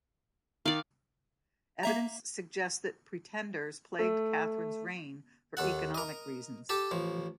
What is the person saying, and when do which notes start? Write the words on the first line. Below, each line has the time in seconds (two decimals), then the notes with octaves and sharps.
Evidence suggests that pretenders plagued Catherine's reign for economic reasons.
0.66 D#3 D5 F5
1.83 A#3 E5 A#5
3.99 A3
5.57 D#2 A4 F#5
5.94 A#4 D#5
6.69 G4 A4 A5
6.91 A1 F3